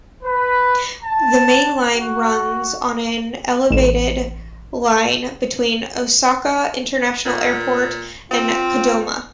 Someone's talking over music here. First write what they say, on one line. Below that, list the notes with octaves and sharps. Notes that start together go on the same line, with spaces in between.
The Main Line runs on an elevated line between Osaka International Airport and Kadoma.
B4
A5
F#4
A1 E7
A#2
C4 F4